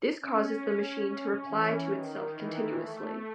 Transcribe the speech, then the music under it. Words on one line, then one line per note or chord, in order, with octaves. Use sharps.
This causes the machine to reply to itself continuously.
C#4
E3
D#3
E3
A3